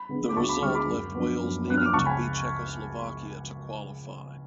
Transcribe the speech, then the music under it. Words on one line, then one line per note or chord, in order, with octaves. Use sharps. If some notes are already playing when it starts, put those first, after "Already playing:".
The result left Wales needing to beat Czechoslovakia to qualify.
Already playing: B5
D3 G#3 B3
D6
D2 A5 C#6
B5 D6
D3 G#3 B3 C#6 F6
B5 D6
F#2
F3 B3 D4
F#2
F3 B3 D4 F#6
F6
D6
C#2 A5 C#6
G#5 B5